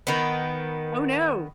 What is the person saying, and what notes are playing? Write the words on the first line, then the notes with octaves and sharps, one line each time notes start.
Oh, no.
D#3 B3